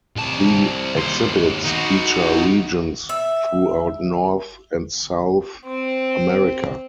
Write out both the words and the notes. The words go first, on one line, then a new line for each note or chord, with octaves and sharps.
The exhibits feature regions throughout North and South America.
C2 A5
D#2 C5
D#4 F#4
E5
C4